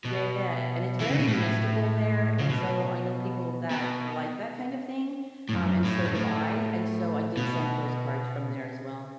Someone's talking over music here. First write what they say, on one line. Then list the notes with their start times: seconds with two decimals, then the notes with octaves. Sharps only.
Yeah, and it's very mystical there, and so I know people that like that kind of thing, um, and so do I, and so I did send postcards from there as well.
0.05 B2
1.00 E3
1.10 C#3
1.19 B2
1.28 A2
2.39 C#3
2.49 B2
3.70 B2
5.49 A2
5.53 F#2
5.84 A2
6.05 F#2
6.15 A2
7.37 B2